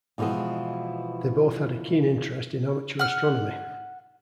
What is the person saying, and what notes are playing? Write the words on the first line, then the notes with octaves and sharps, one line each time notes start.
They both had a keen interest in amateur astronomy.
B2 E3 F3 G#3 B3
F#5 F6